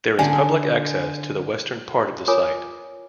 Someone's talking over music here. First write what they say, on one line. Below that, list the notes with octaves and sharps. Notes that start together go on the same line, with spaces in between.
There is public access to the western part of the site.
D3 G#5
F4 A#4 C#5 G#5 D6 D#6